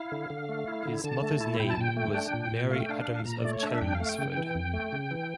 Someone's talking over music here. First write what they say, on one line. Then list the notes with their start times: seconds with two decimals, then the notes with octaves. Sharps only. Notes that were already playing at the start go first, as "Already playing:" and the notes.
His mother's name was Mary Adams of Chelmsford.
Already playing: E4 F5
0.12 D3
0.30 D3
0.49 A3
0.68 E4
0.85 D3
1.04 D3 A5
1.23 A3
1.41 E4
1.60 A#2 G5
1.70 A5
1.77 A#2 G5
1.97 A3
2.15 D4
2.33 A#2
2.52 A#2
2.71 A3 F5
2.80 G5
2.89 D4 F5
3.08 A#2
3.25 A#2 A#5
3.39 D5
3.45 A3
3.53 C#5
3.63 D4 E5
3.81 F2 G5
3.95 F5
4.00 A3
4.09 G5
4.18 C#3
4.37 E3
4.55 F2
4.73 A3
4.92 C#3
5.11 E3